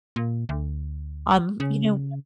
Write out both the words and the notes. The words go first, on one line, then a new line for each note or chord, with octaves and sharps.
Um, you know
A#2
D2
C#3